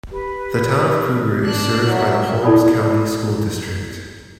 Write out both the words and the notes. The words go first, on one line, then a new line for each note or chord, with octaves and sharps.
The town of Cruger is served by the Holmes County School District.
G4 B4
D4 F#6 C7
F#3 E4 B6
E4 A4 D5 A5 B5 D#6